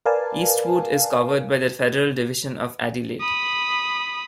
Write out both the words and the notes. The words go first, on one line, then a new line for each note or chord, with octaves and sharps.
Eastwood is covered by the federal Division of Adelaide.
A#4 B4 D5 F5 G#5 A5
B5 D#6